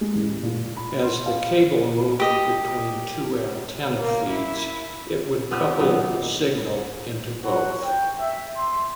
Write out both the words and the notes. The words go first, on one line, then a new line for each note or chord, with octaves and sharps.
As the cable moved between two antenna feeds, it would couple signal into both.
G#3
A1
A#2
B5
C6
F5
G4 D#5
A#3
E4
B3 C4 F4 G4
A#2 D#3 F#3 B3
F#4
G5
E5
C6